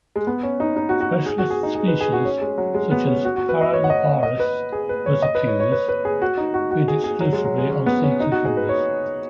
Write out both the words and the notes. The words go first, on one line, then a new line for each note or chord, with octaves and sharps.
Specialist species such as "Paraliparis rosaceus" feed exclusively on sea cucumbers.
G#3
B3
C#4
D#4
D#4
F#4
F#4
G#4
F#4
G#4
D#4
G#4
B4
G#4
F#4
C#4
G#3
F#3
G#3
B3
C#4
F#4
F#4
B4
D#5
C#5
F#5
D#5
F#5
D#5
B4
G#4
B4
C#5
D#5
B4
C#5
C#5
B4
B4
G#4
F#4
D#4
F#4
F#4
G#4
G#4
F#3
G#3
F#3
G#3
C#4
B3
C#4
D#4
F#4
G#4
B4
C#5